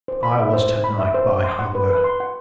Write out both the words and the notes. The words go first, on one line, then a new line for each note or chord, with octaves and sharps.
I was to-night, by hunger.
C5
B5
E5
C5
C5
B5
E5
C5
C5
C6
F#5
B4
B4
C6
F#5